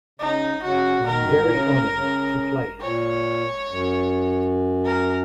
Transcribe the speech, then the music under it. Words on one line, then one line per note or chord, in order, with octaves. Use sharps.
I'm very honoured to play it.
C#3 D#4
C#3 F#4
D#3 A#4
F#2
G#2
A#2
C#3
C#3
A#2 C#5
F#2
A#4